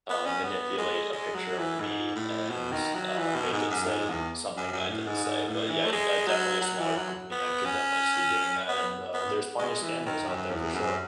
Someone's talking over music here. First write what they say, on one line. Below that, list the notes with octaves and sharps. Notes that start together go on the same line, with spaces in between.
uh, manipulate a picture of me and, uh, make it say something I didn't say, but yeah, you uh, definitely a smaller company, I could definitely see doing that, and, uh, there's plenty of scammers out there for sure.
B3
C#4
B3
G#3
G#3
F#3
E3
G#2
A2
B2
D#3
F#3
E3
B2
G#2
F#2
G#2
E2
F#2
F#2
A2
G#2
G#2
A2
E3
A3
G#3
F#3
F#3
E3
F#3
B3
C#4
B3
B3
G#3
E3
D#3
F#2
E2
F#2